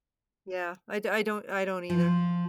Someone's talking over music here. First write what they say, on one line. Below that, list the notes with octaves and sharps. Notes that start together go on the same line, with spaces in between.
Yeah, I d I don't I don't either
F3